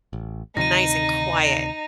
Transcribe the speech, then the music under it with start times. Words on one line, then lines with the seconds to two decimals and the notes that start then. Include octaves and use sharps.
nice and quiet
0.13 A1
0.57 D2 C3 D#3 D#4 A#6 D#7